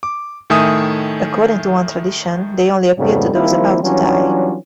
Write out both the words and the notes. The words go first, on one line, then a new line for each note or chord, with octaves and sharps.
According to one tradition, they only appear to those about to die.
D6
A2 D#3 A3 E5 G#5 D#6
F2 G#2 C#3 G3 A3 B3
D#3 F3 G3 A#3 C4 E4
E3 F#3 G3 C#4 D4 F4